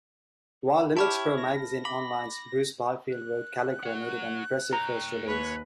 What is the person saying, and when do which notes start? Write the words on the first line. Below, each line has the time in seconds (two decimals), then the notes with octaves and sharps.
While Linux Pro Magazine Online's Bruce Byfield wrote Calligra needed an impressive first release.
0.97 E4 G4 C#5 A5 B5 F6
1.37 A#6
1.85 B5 D6
3.11 F#6
3.83 C#5 F#5
4.73 C#5 G5 A#5
5.27 D#2 B4 C#5